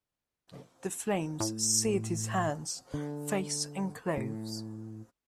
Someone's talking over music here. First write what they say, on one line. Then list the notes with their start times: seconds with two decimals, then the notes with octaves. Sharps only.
The flames seared his hands, face, and clothes.
1.40 A2
2.94 D3
4.17 A2